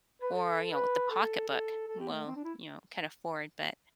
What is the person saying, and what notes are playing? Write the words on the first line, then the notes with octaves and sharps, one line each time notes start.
or, you know, with the pocketbook. Well, you know, can afford, but
B4
A4
B4
A4
A4
A4
G4
B3
A3
C4
D4
E4